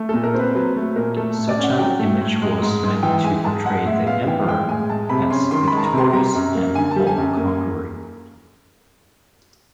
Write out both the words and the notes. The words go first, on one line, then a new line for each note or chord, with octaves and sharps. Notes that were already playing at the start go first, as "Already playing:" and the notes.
Such an image was meant to portray the Emperor as victorious and all-conquering.
Already playing: A3
A#2 A4
A#4
C4 B4
F#3 B4
A3
A#2 A#4
A3 A4
A2
D5
C#4
F#5
F#3 G5
A3
A2
G#3
G#2
G#2
E3 G5
G#3 G#5
G#2 A5
G#3 F#5
A2 E5
B3 F5
E3 G5
G#3 G5
A2 G#5
G#3 A5
C3 B5
C#4 C6
D#3 C6
G#3 B5
A5
A#5
C3 C6
G3 A#5
F#2
A#3
D3 G#5
G3 A5
G#5
F#2
A#3